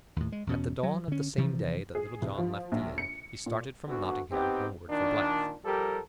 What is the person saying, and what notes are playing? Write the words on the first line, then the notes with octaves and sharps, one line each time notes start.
At the dawn of the same day that Little John left the inn, he started from Nottingham, homeward for Blyth.
D#2 A2
G#3
E2 B2 C#4
F#3
D3 C#4
G2 C3 E3 F3
G#4
C2
F3
A#1
C#7
A#2
D2 D3 B3 F#4
B3 C4 D#4 G4
A#2 D#3 D4
F3 G3 G4 A4 A#4